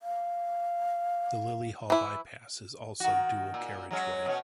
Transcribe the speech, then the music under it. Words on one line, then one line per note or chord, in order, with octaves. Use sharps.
The Lillyhall bypass is also dual carriageway.
F5
E3 E4
D#3 F#4
A#2
F#3 G#3 C#4
B2 C#4 C#5